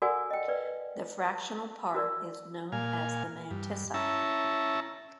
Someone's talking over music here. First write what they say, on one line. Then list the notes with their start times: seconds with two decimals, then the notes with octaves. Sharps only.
The fractional part is known as the mantissa.
0.02 F#4 A4 A#4 D5 F#5 G#5
0.30 D#5 G5
0.48 B4 D5
1.94 F#4 A#4 D5
2.72 A#2 F5 G#5
3.51 G2
3.94 C#4 E4 E5 A5 A#5